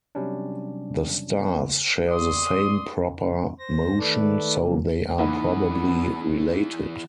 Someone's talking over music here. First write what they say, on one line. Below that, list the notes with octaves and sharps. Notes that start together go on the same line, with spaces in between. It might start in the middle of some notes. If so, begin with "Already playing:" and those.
The stars share the same proper motion so they are probably related.
C3 F#3 G3 C#4 D4
D5 C6 D#6
C5 A#6
D#3 A3 A4 B4 D5
C#3 F#3 A#3
E2 E3 A#3 B3 D#4